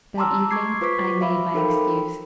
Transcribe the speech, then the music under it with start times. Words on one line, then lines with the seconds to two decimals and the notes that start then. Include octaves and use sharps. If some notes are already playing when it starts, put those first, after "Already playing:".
That evening I made my excuse.
0.18 A5 A#5 C6 D6 E6 F6
0.51 C#6 D6 G#6 C7
0.81 F4 B4 C5 C#6 D6 B6
1.21 E5 F5 B5 D6
1.54 D#4 A4 A#4 C5 G5 B5